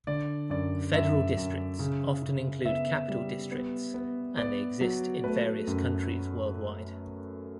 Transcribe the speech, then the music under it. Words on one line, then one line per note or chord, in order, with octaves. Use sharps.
Federal districts often include capital districts, and they exist in various countries worldwide.
D3 D5
F#2 D5
F#2 E5
F#2
C#3
C#3
B3 E5
G3
B3
B3
B3 D5
F#3
A3 B4
F#2